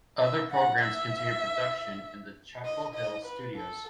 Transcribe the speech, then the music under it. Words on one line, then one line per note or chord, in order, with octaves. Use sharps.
Other programs continue production in the Chapel Hill studios.
E5
F#5
E5
D#5
D#5
B4
A4